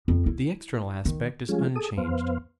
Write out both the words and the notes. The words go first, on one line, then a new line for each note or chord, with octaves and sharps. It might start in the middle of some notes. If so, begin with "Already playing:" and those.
The external aspect is unchanged.
F2
E4
D#3
F3 G3 G#3 C#4 F4 G#4
G#4 A4 D#6
F2 B3 C5 F5